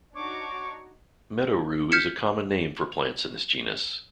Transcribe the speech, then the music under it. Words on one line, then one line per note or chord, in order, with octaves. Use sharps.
Meadow-rue is a common name for plants in this genus.
D4 D#4 F#4 C#5 C#6 D6
F6 G6 G#6 B6 C#7 E7